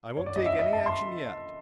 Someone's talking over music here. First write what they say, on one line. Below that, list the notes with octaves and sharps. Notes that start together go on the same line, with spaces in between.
I won't take any action yet.
C#5
D5
D#5
E5
D#5
A5
C6